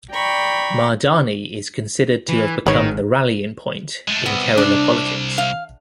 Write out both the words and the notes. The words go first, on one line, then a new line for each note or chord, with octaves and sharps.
Mahdani is considered to have become the rallying point in Kerala politics.
D5 G5 A#5 B5 C#6
E3
G#1 G#2 D#3 B4 C#5
G#3 A3
C2 B3
D4
F5